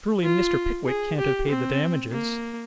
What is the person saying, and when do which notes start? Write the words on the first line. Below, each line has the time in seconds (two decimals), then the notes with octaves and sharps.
Surely Mr. Pickwick can't have paid the damages.'
0.24 F4
0.87 G#4
1.18 G4
1.49 C4
2.12 A#3